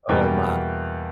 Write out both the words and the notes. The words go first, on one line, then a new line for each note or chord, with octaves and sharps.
Oh my.
E2 B2 G3 A#3 G5